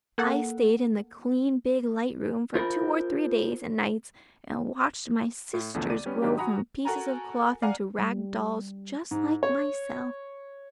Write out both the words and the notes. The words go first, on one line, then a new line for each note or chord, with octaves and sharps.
"I stayed in the clean big light room for two or three days and nights and watched my Sisters grow from pieces of cloth into rag dolls just like myself!"
A#3 A4 F#5
F4 A#4 C5 B5
A2
B1 E2 D3 F3 A3
D5 D#7
G3 B3 C#4
G#2 D#3 F#3 D4 D#4 G4
F#4 F#5 G#5 A#5 B5 D#6
F#4 A4 A#4 G#5 A#5
D5 F5 F#5 G#5 A#5
G3
G#2
C#5